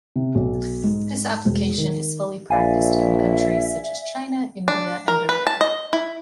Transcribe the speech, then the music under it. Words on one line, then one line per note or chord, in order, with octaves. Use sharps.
This application is fully practiced in countries such as China, India and Iran.
C3
B1
G#2
E1
D#3
A#1 D5 E5 F5 G#5
D4
A#4
B4
A5
D#5
E4